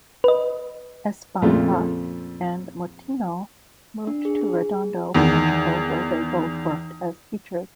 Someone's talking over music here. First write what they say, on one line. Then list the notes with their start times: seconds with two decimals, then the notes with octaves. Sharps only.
Espanca and Moutinho moved to Redondo, Portugal, where they both worked as teachers.
0.24 B4 D#5
1.42 F2 A#2 C#3 A3 F4
4.07 D4
4.25 G#4
4.41 G#4
5.15 E2 D#3